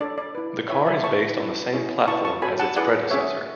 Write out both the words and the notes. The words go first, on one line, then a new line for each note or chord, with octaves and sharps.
The car is based on the same platform as its predecessor.
D4 A4 C#5 D5
D5
E4 B4
E4 B4 C#5 E5
E5 G#5
E4 B4 A5 C#6
E4 B4
C#4 E4 G#4 C#5
E4 B4 A5 C#6
A5 C#6
F#4 A4 C#5 G#5 B5
F#5 A5
E4 G#4 B4 D5 F#5
C#4 G#4 C#5 E5